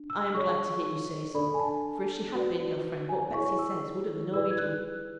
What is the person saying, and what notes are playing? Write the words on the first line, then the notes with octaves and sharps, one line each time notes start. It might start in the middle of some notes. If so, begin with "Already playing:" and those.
'I am glad to hear you say so, for if she had been your friend, what Betsy says would have annoyed you.'
Already playing: D4
E6
G#4 C#5 C#6
D4 A4 D5 B5
G#5
A5
F#4 B4 D5
G#5
E4 G#4 C#5 C#6
E6
E4 G#4 B4 D5 E6
G#6
F#6